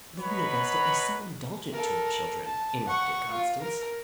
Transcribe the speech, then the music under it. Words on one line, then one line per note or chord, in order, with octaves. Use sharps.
"But Lady Augusta is so indulgent to her children!" interrupted Constance.
D#4 B4 C#5 F#5 B5
A4 A#4
A5
F#5 C#6
F4
A#4